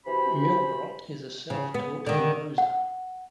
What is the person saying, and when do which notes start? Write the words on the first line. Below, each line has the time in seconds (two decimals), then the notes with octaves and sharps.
Milbrodt is a self-taught composer.
0.06 C3 E3 F#4 C5 B5
1.50 C#3
1.74 B3
2.06 D3 D#3
2.58 F#5